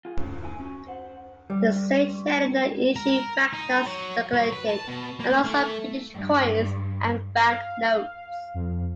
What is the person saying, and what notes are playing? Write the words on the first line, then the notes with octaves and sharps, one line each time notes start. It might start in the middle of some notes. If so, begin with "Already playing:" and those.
The Saint Helena issued banknotes circulated alongside British coins and banknotes.
F4 G#4
C#3 F#3 A3 C#4
E4 G#5
C#4 F#4
C5 F#5
G3
A#4
D#4
F#3
F#3
B4
A5
B2
A#3
A3
G2
F5
F2